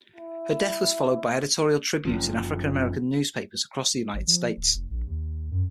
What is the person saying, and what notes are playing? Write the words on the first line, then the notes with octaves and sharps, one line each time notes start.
Her death was followed by editorial tributes in African-American newspapers across the United States.
E4
F#1 C#3 F3
G#1
F3
D1
F1
A#1
D#2
F#2